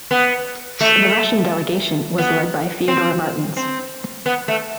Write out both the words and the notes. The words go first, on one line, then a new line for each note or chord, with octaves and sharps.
The Russian delegation was led by Fyodor Martens.
B3
A3
B3
C4
C4
B3
A3